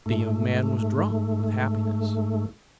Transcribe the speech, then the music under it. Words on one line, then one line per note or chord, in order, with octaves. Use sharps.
The young man was drunk with happiness.
G#2 A3